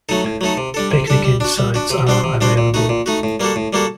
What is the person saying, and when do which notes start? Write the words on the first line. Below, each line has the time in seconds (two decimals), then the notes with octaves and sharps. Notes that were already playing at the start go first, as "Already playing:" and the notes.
Picnicking sites are available.
0.09 F#3 A3 D#4 A4
0.24 A2
0.41 F#3 A3 D#4 A4
0.57 C3
0.74 G3 D4 A4
0.91 C3
1.07 G3 D4 A4
1.24 G3
1.40 D4 F#4
1.58 G3
1.74 D4 F#4
1.91 C3
2.07 G3 D4 F#4 C5
2.24 C3
2.41 G3 D4 F#4 C5
2.57 A#2
2.74 A3 D#4 F#4
2.89 A#2
3.06 A3 D#4 F#4
3.23 A2
3.40 G3 A#3 F#4 A4
3.56 A2
3.73 G3 A#3 F#4 A4